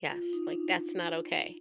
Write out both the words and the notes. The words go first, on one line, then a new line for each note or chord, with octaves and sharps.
Yes, like, that's not okay.
F4
F4
D#4
D4
D#4